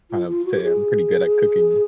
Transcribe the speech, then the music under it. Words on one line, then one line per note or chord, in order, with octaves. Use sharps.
kind of say I'm pretty good at cooking,
F4
F4
F#4
G4
G#4